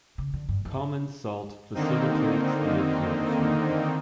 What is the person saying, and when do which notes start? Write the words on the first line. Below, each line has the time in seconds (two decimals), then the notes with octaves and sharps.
Common salt facilitates the absorption.
0.18 C#3
0.34 D3
0.49 G2
0.65 D#3
1.74 D3 D#3 A#3 C4 D#4